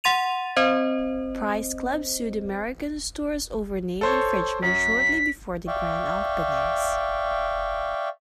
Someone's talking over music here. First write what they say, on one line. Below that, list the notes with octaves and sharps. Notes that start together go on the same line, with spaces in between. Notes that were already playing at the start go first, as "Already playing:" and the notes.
Price Club sued American Stores over name infringement shortly before the grand openings.
F#5 C6 A6 D#7 F7
C4 C5 D#5
A4 C5 C#5
F#2 B6
D5 E5 F5 G5 C#6